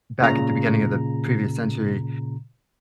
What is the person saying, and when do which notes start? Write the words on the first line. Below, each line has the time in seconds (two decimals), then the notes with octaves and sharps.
back at the beginning of the previous century,
0.21 A#2 C#3 A#5